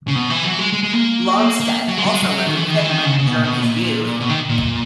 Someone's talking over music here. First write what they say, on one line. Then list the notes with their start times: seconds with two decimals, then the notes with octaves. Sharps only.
Blomstedt also lived in Finland during his youth.
0.08 C#3
0.15 B2
0.30 E3
0.44 F#3
0.59 G#3
0.73 G#3
0.83 G#3
0.93 A#3
1.60 A#3
1.88 F#3
1.98 G#3
2.05 F#3
2.14 G#3
2.23 F#3
2.46 D#3
2.57 E3
2.68 D#3
2.79 E3
2.89 D#3
3.05 C#3
3.19 C#3
3.27 B2
3.35 A#2
3.43 B2
3.62 A#2
4.20 B2
4.29 D#3
4.49 A#2